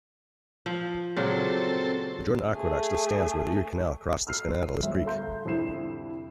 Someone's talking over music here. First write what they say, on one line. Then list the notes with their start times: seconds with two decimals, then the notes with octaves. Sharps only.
The Jordan Aqueduct still stands where the Erie Canal crossed Skaneateles Creek.
0.66 F3
1.16 A#2 C#3 F#3 C4 A4
2.53 A3 G#4
4.27 E6 F6 C7
4.83 G1 D2 E5
5.06 A4 E5 F5 A#5 C6 G6
5.45 C2 F2 D3 E4 C7 E7